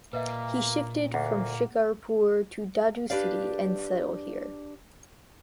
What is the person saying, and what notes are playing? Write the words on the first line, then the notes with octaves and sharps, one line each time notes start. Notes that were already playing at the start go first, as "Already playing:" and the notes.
He shifted from Shikarpur to Dadu city and settled here.
A#2 A#3 B4 D#5 E5
D2 A#3 F#5
D4 G4 B4 D5 F5